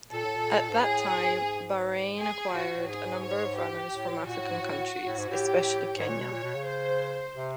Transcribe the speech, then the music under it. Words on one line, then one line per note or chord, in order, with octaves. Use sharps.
At that time Bahrain acquired a number of runners from African countries, especially Kenya.
A#2 A4
A2
A#2
G#2
A2 G#4
G#2
G#4
A2 F#4
A2
G#2 G#4
C#5
G4
A2
A#2 F#4
A2
G#2
A2
A2
G#2
A2 G4
G#2 C#5
A#2
B2
A#2
B2
C#3
C5
C3